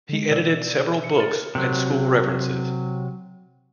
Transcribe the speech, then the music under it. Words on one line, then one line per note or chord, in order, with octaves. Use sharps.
He edited several books and school references.
D3 G#3
B2 D5 E6
C#7
A#4 A6
C3 F#3